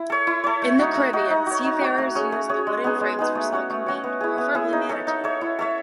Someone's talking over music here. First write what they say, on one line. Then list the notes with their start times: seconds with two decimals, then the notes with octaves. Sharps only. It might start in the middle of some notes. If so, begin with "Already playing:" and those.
In the Caribbean, seafarers used the wooden frames for smoking meat, preferably manatee.
Already playing: E4
0.10 A4 C#5
0.27 E4
0.44 A4 C#5
0.62 A3
0.79 D#4 F#4
0.95 A3
1.13 D#4 F#4
1.30 D#4
1.47 F#4 C#5
1.64 D#4
1.81 F#4 C#5
1.98 A3
2.15 C#4 G#4 C#5
2.32 A3
2.49 C#4 G#4 C#5
2.67 G#3
2.84 B3 D#4 G#4
3.01 G#3
3.19 B3 D#4 G#4
3.35 A3
3.52 C#4 F#4 C#5
3.70 A3
3.86 C#4 F#4 C#5
4.04 B3
4.20 E4 G#4
4.38 B3
4.55 E4 G#4
4.73 D#4
4.89 A4 C#5 E5
5.07 D#4
5.24 A4 C#5 E5
5.41 E4
5.59 A4 C#5 E5